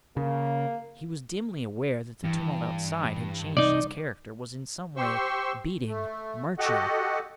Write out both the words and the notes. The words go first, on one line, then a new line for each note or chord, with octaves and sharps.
He was dimly aware that the tumult outside had changed its character, was in some way beating, marching.
C#3 A#3
G2 E3
C2 D#4 D5
G4 C5 C6 C#6 E6
A3
F#4 G4 A4 D#5 F#5